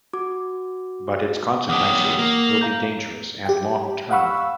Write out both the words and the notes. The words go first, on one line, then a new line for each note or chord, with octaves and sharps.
But its consequences will be dangerous and long-term.
F#4 D6
E2 G4 F#5 D6 D#6
A#3
F5 A#5 G6
G4 G5
F5 F#5 B5 C#6 E6